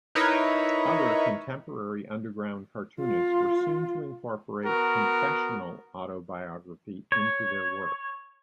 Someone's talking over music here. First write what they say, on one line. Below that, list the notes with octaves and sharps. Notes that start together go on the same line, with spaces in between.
Other contemporary underground cartoonists were soon to incorporate confessional autobiography into their work.
D#4 E4 A#4 B4 C#5
F4
B3 F#4 A#4
C#5